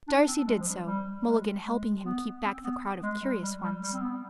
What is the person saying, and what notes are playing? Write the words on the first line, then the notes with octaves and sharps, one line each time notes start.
Darcy did so, Mulligan helping him keep back the crowd of curious ones.
D4
C4
G#3
F3
G3
G3
G#3
G#3
B3
C4
B3
G#3
G3
G3
G3
G3
C4
B3